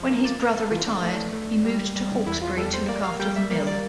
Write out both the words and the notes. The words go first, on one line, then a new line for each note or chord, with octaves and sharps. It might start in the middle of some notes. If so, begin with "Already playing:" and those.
When his brother retired, he moved to Hawkesbury to look after the mill.
Already playing: F3
A#3
D5
A#3 A#4
A4
E3 F4
D4
A3
A3
G3
G3
E2 E4
F4
G3 A4
C5
A#3 D5
F5
G3 G5
E5
A#3 D5
D5